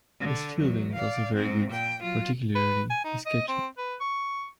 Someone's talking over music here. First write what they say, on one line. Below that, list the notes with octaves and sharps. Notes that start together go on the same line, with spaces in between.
His fielding is also very good, particularly his catching.
D3
E2 F#3
D5 F5
G#2 C4
A#2 G5
F#3 F4
B4
G#5
D#4
D#5
C4
B4
C#6